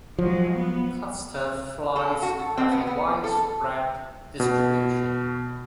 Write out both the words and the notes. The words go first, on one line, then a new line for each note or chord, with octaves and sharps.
Cluster flies have a widespread distribution.
F3 F#3 G#3
B3
A4
F#4
A4
C4
B3
B3
A4
B2